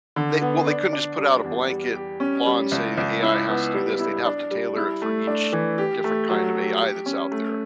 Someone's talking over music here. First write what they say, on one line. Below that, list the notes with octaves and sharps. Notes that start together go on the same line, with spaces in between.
they well, they couldn't just put out a blanket law and say the AI has to do this, they'd have to tailor it for each different kind of AI that's out there.
D3
B3
D4
D4
G3
E2
G3
G4
C#4
G3
C#2
C#2
E4
B3
G3
E4
D4
G3
E4
A3
D4
E3
G4
A3
F#3
G4
G4
C#4
A3